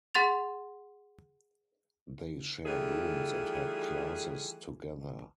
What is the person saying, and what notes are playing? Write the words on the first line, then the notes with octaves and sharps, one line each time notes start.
They shared rooms and had classes together.
G#4 F#5 C6 A6 F7
D#3 E3 G3 A3 F4 G#4